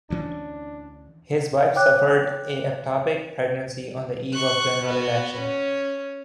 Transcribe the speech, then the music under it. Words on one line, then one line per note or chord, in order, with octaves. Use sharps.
His wife suffered a ectopic pregnancy on the eve of the General Election.
D2 E3 C#4 D4
C#5 G5 D6 F#6
C#6 F#6
B3 F#4
C#4